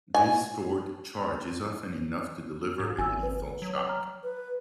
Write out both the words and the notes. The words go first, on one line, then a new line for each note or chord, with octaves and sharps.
This stored charge is often enough to deliver a lethal shock.
G#5
G#2
G#1 G#5 E6
B4
F#3
A#5 F6
B4